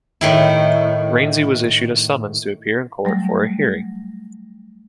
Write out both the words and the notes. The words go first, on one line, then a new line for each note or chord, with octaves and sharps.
Rainsy was issued a summons to appear in court for a hearing.
A2 D#3 E4
F#3 G3 A3 A#6